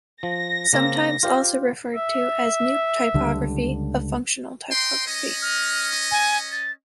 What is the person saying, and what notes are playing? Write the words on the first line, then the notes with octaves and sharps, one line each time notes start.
Sometimes also referred to as "New Typography" of "Functional Typography".
F3 A#6
C#3 A#3 C4
F4 G4 C5
E5
C#2 D3 G3
D#5 G5 C6
C#4 D#5
F6
G#5
A6